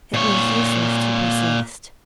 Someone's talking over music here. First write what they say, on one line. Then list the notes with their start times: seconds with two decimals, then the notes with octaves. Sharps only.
It was useless to persist.
0.14 A#2 C#5